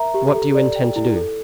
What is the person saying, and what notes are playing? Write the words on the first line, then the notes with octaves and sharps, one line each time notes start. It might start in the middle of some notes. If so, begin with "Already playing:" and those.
What do you intend to do?
Already playing: A#4 E5 A#5
G4
A4
D5
G5
E4
A4